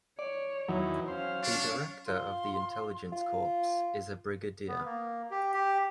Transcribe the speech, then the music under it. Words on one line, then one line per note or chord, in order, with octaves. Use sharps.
The Director of the Intelligence Corps is a brigadier.
C#5 D5
E2 D#3 E3 F#3
C#4 C5 F5
D4 C#5
F4 C6
F4
B3
A#3
G4
G4